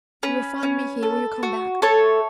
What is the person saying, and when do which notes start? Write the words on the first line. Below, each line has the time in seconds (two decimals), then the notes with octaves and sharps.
"You will find me here when you come back."
0.23 C#4 B4
0.63 C#4
1.03 A4
1.43 F#4
1.82 A3 A4 C#5